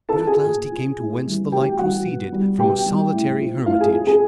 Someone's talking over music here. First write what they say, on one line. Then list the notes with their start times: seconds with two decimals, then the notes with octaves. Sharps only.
But at last he came to whence the light proceeded--from a solitary hermitage.
0.09 A4 A5
0.19 F3
0.27 G#4 G#5
0.45 A#2
0.71 F3
0.98 A2
1.25 E3 G3
1.52 A2 G4 G5
1.79 E3 G3 F#4 F#5
2.05 B2
2.33 G3
2.59 B2 G4 G5
2.86 G3
3.13 A2
3.40 F3
3.66 A2 F4 F5
3.80 G#4 G#5
3.94 F3
4.07 G#4 G#5